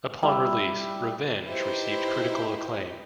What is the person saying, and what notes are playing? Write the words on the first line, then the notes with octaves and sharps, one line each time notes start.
Upon release, "Revenge" received critical acclaim.
G3 E4
D#4 E4 G4 B4 C5 D#5